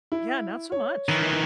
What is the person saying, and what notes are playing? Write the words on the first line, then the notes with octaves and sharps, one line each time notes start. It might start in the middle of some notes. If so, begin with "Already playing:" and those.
yeah, not so much.
E4
C#5
D#3 E3